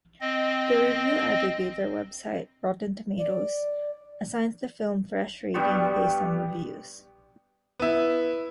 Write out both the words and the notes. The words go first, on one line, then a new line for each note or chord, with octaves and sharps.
The review aggregator website Rotten Tomatoes assigns the film fresh rating based on reviews.
C4 D#5
D5
G2 G3 B3 C#6
B3 E4